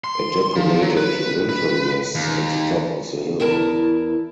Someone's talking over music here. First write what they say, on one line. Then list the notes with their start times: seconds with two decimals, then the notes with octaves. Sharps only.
A decorated lintel rests at the top of the hill.
0.04 C6
0.56 F3
0.81 F#3
0.97 B4
1.49 B4
2.15 D#2
3.40 E2 E4 A#4 A5